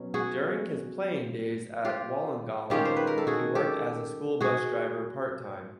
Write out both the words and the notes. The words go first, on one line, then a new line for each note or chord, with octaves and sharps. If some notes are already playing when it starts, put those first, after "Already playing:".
During his playing days at Wollongong he worked as a School Bus driver part-time.
Already playing: B2 F#3 C#4
F#4 G#4
F4 G4
D#3 G#3 C#4 F4 G4
C5
B4
A#4
A4
F#4 G#4
G4 A4
F#4 G#4